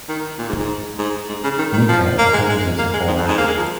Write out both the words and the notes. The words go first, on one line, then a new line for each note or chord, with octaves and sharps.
Mica opposes abortion.
D#3
A#2
G#2
G#2
G#2
G#2
C#3
D#3
D#3
F3
A#3
G#3
G#3
A#3
G#3
G#2
F2
G#2
A#3
G#3
F3